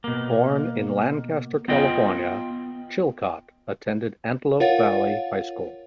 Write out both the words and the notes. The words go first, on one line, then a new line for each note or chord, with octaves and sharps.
Born in Lancaster, California, Chilcott attended Antelope Valley High School.
B2 A#3
B3 F4 D#5 G5
F4 A#4 C#5 F5 F#5 A6